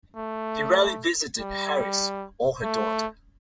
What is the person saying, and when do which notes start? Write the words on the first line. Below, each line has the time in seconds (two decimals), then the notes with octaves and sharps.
He rarely visited Harris or her daughter.
0.17 A3
1.40 G3
2.63 A3